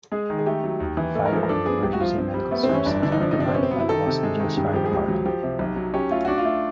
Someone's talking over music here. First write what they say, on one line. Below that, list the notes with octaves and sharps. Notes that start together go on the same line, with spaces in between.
Fire and emergency medical services are provided by the Los Angeles Fire Department.
G#3 G#4
D#3
G#4
A3 G4
F#3
D#2
E3
A3 A4
A#4
F3 A4
A#4
D4 A4
B3 G#4
C2 G4
F#4
F3 F4
C4
G3
A3 B3
C4
E3 C#4
G1 D4
D3 D4
D#4
F3 D4
D#4
C3 D4
C4
B3 C#4
C4
F#3 B3
E4
D#3 A4
C3
G#3
D#3
G2 G4
G#4
F3 G4
G#4
C#2 G4
F#3
F3 G4
C3
B1
F#3
C#4 G4
A3 F4
D4 F#4
F4
A3